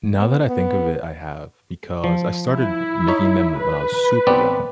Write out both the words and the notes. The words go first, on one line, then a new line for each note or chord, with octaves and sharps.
Now that I think of it, I have, because I started making them when I was super young,
B3
B3
F3
E4
D#4 C#5
B4
B3 C4 D5